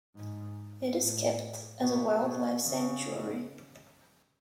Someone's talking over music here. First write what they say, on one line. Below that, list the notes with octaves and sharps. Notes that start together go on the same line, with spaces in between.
It is kept as a wildlife sanctuary.
G#2
A2
B2
B2
C#3